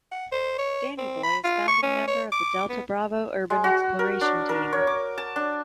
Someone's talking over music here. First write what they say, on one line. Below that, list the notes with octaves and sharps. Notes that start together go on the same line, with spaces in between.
Danny Boy is founding member of the Delta Bravo Urban Exploration Team.
F#5
C5
C#5
C4
B5
F4
C#6
C#4
C#5
D6
B3
G#3
F#4
A#4
D4
A#4
C#5
D6
A5
D4